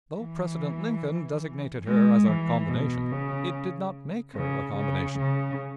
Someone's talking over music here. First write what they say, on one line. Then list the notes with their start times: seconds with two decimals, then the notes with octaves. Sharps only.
Though President Lincoln designated her as a "combination," it did not make her a combination.
0.21 E3
1.87 G#3
2.27 E3
2.70 B2
3.11 C#3
4.36 C#3
4.77 C#3
5.19 C#3